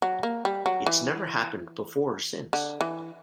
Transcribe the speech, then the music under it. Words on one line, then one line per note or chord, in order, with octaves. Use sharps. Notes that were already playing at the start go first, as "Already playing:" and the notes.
It's never happened before or since.
F#3
A#3
G3
F#3
E3
D3
E3